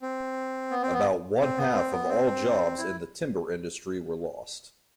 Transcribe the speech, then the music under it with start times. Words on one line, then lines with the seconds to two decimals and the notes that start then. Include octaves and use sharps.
About one-half of all jobs in the timber industry were lost.
0.02 C4
0.71 B3
0.83 C4
0.93 B3
1.41 C4
1.58 B3
1.74 C4
1.92 B3
2.09 C4
2.78 E4